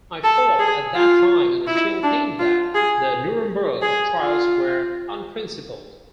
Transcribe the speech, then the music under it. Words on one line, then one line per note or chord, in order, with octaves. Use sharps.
I thought at the time and still think that the Nuremberg trials were unprincipled.
A4
G#4
F4
E4
D4
F4
G#4
G#4
F4